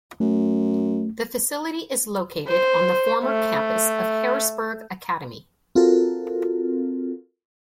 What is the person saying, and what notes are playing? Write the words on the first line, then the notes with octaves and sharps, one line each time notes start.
The facility is located on the former campus of Harrisburg Academy.
F#2 A3
C5
A3
C4 F4 F#4 A4 A#4